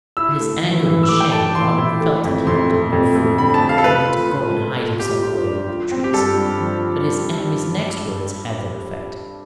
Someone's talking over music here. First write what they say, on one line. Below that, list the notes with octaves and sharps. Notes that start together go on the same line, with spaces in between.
In his anger and shame Robin felt that he wanted no food now, only to go and hide himself away among the trees; but his enemy's next words had their effect.
E4 E6
A3
E3
E3
E6
A3 D6
G5
A3 A5
E3 C6
E4
A3
F2
F2 C6
A3
F2
A3
D3 B5
A5
A3
F5
A4
A3 B4
F4
F4
A3
A3
F4 G4
F4
D4
F4
C4
G4
G2 A4
G2
F3